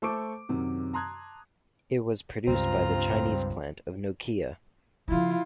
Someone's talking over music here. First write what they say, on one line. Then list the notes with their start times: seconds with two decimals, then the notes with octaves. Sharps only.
It was produced by the Chinese plant of Nokia.
0.02 A3 A4 C5 C#6 D6 D7
0.49 F#2 C3 D#3
0.94 A5 A#5 C6 D#6 F#6 G#6
2.48 C#2 G2 C4 F4 A#5
5.08 C#3 F3 E4 F4